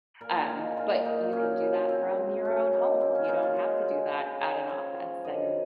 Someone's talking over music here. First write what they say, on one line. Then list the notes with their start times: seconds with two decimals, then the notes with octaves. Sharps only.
um, but you can do that from your own home. You don't have to do that at an office and
0.21 A#2 A#4
0.49 G#3 F4
0.77 A#2 F4
1.05 A#3 D#4
1.33 F#2 C#4
1.60 C#3
1.88 F#3 C4
2.17 F#3
2.45 F#2 C#4
2.73 A#3 D#4
3.01 A#3 C4
3.15 C#4
3.24 F#3 D#4 F4
3.43 F4
3.57 G#3
3.85 G#3
4.13 C#3
4.41 C#3
4.68 F3 C#5
4.97 F3
5.24 F#2 D#5